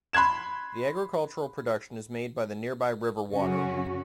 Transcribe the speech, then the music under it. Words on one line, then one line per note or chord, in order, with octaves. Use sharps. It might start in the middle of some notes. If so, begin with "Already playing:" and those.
The agricultural production is made by the nearby river water.
B5 C6 F#6 G#6 E7
F#2 C#3 C#4 F#4